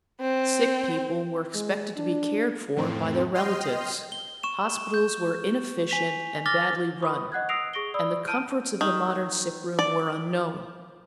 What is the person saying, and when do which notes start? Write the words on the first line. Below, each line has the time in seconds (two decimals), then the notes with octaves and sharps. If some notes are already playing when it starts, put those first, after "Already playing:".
Sick people were expected to be cared for by their relatives; hospitals were inefficient and badly run, and the comforts of the modern sickroom were unknown.
0.21 C4
1.55 G#3
1.96 D4
2.76 F2 A2 C4
3.34 D#5 G5 C6 F6
4.12 G7
4.43 C#6 E7
4.94 G6
5.90 G#5 B6 F7
6.46 D6 F6 A6 A#6 G7
7.02 B4 B5 C#6 D#6
7.32 D#5 F#5 F#6 G#6
7.49 D#6 E6 A#6 C7 D7 F7
7.74 G#4 C#6 A#6 D7 G7
7.94 D5 B5 D#6 E6
8.27 A5 F6 G6 D7 D#7
8.81 D#3
9.79 D5